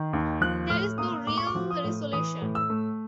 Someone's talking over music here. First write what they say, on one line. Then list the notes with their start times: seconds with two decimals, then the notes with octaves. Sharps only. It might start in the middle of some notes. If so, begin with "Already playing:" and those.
There is no real resolution.
Already playing: D#3
0.13 D#2
0.41 F3 F#6
0.70 A2 F6
0.98 A#3 D#6
1.27 A2 D6
1.38 C#6
1.47 D6
1.55 F3
1.70 D#6
1.84 A2
2.13 E3 D#6
2.42 A2
2.55 E6
2.70 A3